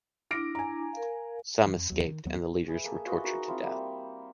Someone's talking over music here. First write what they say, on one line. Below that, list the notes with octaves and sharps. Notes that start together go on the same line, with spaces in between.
Some escaped and the leaders were tortured to death.
D4 E4 D6 F6 A#6 D7
G#5 A#5
A#4 F5
E3 F3 G3
F2
D#2 F#3
D#3
D#2 F#3 B3
G#4 B4 E5
A#3 G#4 A4
F4 F#4 B4 D#5
D#4 F#4 A#4
C4 E4 F4
G3 A#3 C4 E4